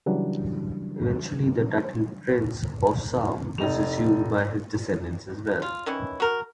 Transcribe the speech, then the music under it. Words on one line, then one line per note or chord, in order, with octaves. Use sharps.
Eventually, the title Prince of Salm was assumed by his descendants as well.
C#3 E3 F#3 G3 D4
F1 D#4 F7
F4
D#3 E3 C#4 E4
F#4 A#4